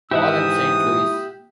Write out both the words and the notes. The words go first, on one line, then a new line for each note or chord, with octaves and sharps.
Paul and Saint Louis.
G#2 E3 E4 G4 E5 F#5 D#6